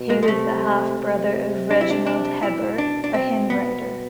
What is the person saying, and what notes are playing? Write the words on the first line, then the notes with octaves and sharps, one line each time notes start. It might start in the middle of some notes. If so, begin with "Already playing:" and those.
He was the half brother of Reginald Heber, a hymn writer.
Already playing: B2
G#3
G#3
C3 A3
C3
D4
E4
D4
D4
B2 E4
D4
D4
C4
B3